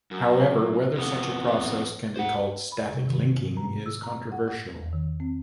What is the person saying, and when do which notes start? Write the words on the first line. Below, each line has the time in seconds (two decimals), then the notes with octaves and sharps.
However, whether such a process can be called "static linking" is controversial.
0.11 F#2
0.96 F2 B3
2.16 C5 F#5
2.72 B5
2.93 C3
3.07 D#3
3.37 G#2
3.57 A#5
3.86 E6
4.03 A#5
4.32 F#5
4.48 F#5
4.79 E2
4.93 D#3
5.20 C4